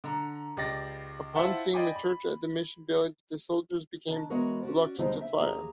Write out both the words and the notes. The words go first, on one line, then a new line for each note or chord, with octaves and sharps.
Upon seeing the Church at the mission village the soldiers become reluctant to fire.
D3 A#5
C#2 G4 D5 A6 A#6
E4 F4 C5 E5 F#5 A5
D5 D#5 G5 G#5 B5 D6
B5
D#3 D4
E3 G#3 B3 F#4 A#4 C#5
C#4 F#4 D5
D#2 D3 G3 G#3 C4 D#4
E5
D#2 G4 G#4 A#5